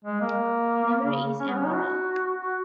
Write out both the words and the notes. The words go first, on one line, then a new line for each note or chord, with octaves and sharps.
Memory is amoral.
G#3
A#3
C#3
C#4
B3
C#4
D#4
F#4
F#4